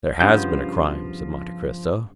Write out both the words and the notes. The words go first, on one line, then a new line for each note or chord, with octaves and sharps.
"There has been a crime," said Monte Cristo.
G2 C#3 F3 B3 F4 G6